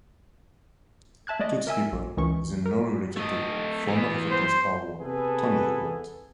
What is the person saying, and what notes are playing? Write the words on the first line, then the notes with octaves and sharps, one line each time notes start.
Toots Hibbert is in no way related to former Everton stalwart Tony Hibbert.
E5 A5 F#6 G#6
G#3 A3 D5 D#5
A#4 E5 G#5 E6
A#1
C#2 D#3 E3 C#4 C#6
A#4
A3 D#5
E3 B3
C5
C3 B3 G#4 A4 B4